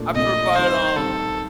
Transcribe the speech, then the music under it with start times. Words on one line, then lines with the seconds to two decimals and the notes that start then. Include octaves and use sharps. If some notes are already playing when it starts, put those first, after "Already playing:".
I provide, um,
Already playing: A#2 A3 D4
0.15 A#2 A3 D4 D#5
0.55 D#3 G3 C4 C5
0.96 D#3 G3 C4 A4